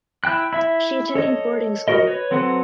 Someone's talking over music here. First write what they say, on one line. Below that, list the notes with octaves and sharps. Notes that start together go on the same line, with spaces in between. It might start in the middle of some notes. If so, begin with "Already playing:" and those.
She attended boarding school.
E4 G5 F#6
E4 E5
A4 C#5 D#5
F#4 A#4 D#5
B4 C#5
F#3 C4 A4 B4 F#5